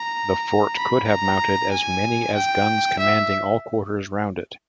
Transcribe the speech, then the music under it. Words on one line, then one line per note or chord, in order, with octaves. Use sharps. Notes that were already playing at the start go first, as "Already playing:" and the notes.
The fort could have mounted as many as guns commanding all quarters round it.
Already playing: A#5
B5
A#5
G#5
G5
E5